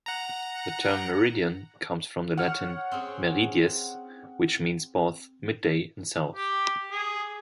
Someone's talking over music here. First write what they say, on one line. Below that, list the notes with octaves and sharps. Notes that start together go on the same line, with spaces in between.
The term "meridian" comes from the Latin "meridies", which means both "midday" and "south".
F#5 A#5
C#5 F#5 F6
C4 C#4 G#4
G4
G#4